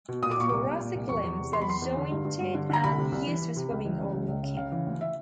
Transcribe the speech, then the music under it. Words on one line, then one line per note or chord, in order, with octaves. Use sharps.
The thoracic limbs are jointed and used for swimming or walking.
B2
A#2 D#6
D6
A#2 C#6
C2 D6
A#2
A#2
C2
E2 C#6
E2
C3
E2 C6
B5
E2 C6
E2
D3
G2
G2
G2
D3
D3 A#5
C2 B5
C3
C2
E3
E3
C3
C#2
E3
C#3
C#2
C#2
C#3
C#3 F5
E3
D2
E5